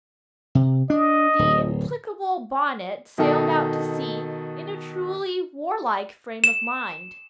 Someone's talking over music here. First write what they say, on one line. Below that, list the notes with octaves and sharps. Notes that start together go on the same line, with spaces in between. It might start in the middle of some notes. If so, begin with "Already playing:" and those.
The implacable Bonnet sailed out to sea in a truly warlike frame of mind.
C3
D4 D#5
D1
B2 D#3 D#4 A4
E7